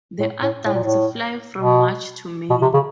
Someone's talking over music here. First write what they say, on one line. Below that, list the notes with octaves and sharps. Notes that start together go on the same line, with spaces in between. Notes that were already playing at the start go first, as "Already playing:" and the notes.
The adults fly from March to May.
A2
A2
A2
A#2
A2
B2
B2
C3
C#3